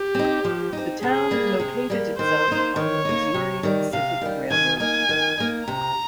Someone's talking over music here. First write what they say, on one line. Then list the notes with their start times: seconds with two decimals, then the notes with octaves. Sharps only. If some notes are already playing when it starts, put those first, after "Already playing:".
The town located itself on the Missouri Pacific Railroad.
Already playing: G4
0.15 C4 D#4
0.45 F3
0.73 C4 D#4
1.02 C3 G#4
1.31 G3 A#3
1.60 C3
1.90 G3 A#3
2.18 D#3 C5
2.48 A#3 D#4
2.76 D#3 C#5
3.05 A#3 D#4
3.34 C3
3.63 D#3 G3
3.93 C3 F5
4.21 D#3 G3
4.50 D#3 G#5
4.80 A#3 D#4 G#5
5.09 D#3
5.37 A#3 D#4
5.68 C3 A#5